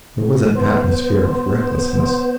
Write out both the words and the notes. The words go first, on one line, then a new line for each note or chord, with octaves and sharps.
There was an atmosphere of recklessness.
B3 C5